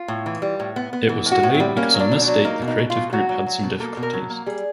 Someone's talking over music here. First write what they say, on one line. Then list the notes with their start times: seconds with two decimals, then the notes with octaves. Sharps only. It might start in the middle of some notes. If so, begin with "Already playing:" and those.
It was delayed because on this date the creative group had some difficulties.
Already playing: F4
0.08 A2
0.26 E3
0.42 G3
0.60 A2
0.76 B3
0.93 B3
1.09 E3
1.26 A2
1.32 F#4
1.43 A2
1.54 C4
1.60 G3
1.77 A#3 C#4
1.94 F#3
1.99 D4
2.11 B2
2.22 D4
2.27 F#3
2.44 A#3 D#4
2.62 B2
2.68 D#4
2.78 B2
2.90 F4
2.95 B2
3.13 F#3 F#4
3.29 F#3
3.46 F#3
3.63 B2
3.80 A#3 A4
3.97 B2
4.03 A#4
4.13 F#3
4.30 A#3
4.46 G3 G#4